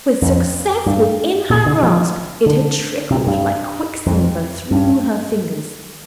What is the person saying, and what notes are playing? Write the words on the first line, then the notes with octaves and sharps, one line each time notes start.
With success within her grasp, it had trickled like quicksilver through her fingers.
F2
G2
A#2
D3
F3
D3
C3
G2
F2
G2